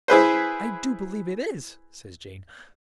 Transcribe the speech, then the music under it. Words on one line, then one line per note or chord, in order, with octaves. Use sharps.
"I do believe it is," says Jane.
E4 G#4 B4 C5